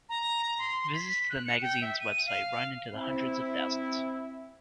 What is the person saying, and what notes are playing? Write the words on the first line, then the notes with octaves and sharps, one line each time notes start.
Visits to the magazine's website run into the hundreds of thousands.
A#5
C6
B6
F#6
C#7
G5
E5
D#7
F5
C4 E4